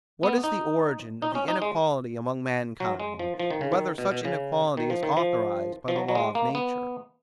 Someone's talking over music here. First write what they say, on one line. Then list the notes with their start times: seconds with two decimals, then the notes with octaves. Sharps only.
What is the Origin of the Inequality among Mankind; and whether such Inequality is authorized by the Law of Nature?
0.23 B3
0.44 D#4
1.22 D#4
1.35 C#4
1.48 D#4
1.62 G#3
2.80 F#3
3.00 G#3
3.19 F3
3.40 F3
3.51 D#3
3.61 C#3
3.72 D#3
3.98 B2
4.11 B2
4.25 C#3
4.77 D#3
4.90 F3
5.03 D#3
5.17 F3
5.88 F3
5.96 F#3
6.08 F#3
6.15 G#3
6.35 A#3
6.55 B3